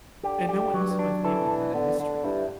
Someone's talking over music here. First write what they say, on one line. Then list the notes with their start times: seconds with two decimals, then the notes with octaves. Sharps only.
And no one else in my family had a history of that.
0.23 D3 G4
0.49 G4
0.74 G2 F#3
0.91 G2
0.99 D4
1.24 E3 A4
1.49 D4
1.74 D3 B3
1.99 D3 D4
2.24 G2 E4